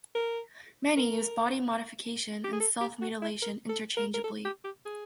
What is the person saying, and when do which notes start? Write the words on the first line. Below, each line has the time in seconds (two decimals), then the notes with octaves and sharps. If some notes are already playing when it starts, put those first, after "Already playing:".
Many use body modification and self-mutilation interchangeably.
0.15 A#4
0.97 A#4
2.44 G4
2.53 G#4
2.60 A4
2.81 G4
3.01 F#4
3.22 E4
3.42 A#4
3.69 A4
3.97 A#4
4.14 A#4
4.24 A4
4.45 G4
4.64 G4
4.85 G#4